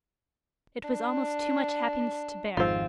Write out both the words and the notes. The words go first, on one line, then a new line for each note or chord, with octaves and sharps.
It was almost too much happiness to bear.
D4
G#1 F2 G#2 C4 F4